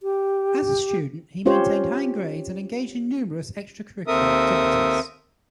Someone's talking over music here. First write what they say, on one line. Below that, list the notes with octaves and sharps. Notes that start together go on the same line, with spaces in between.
As a student, he maintained high grades and engaged in numerous extracurricular activities.
G4
C#4 F4 G4 C5 C#5
D#2 C4 A4 A#4 E5 D#6